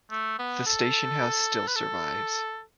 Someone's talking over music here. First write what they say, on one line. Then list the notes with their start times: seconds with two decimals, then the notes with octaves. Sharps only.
The station house still survives.
0.11 A3
0.39 B3
0.66 A4
1.67 B4
1.76 A4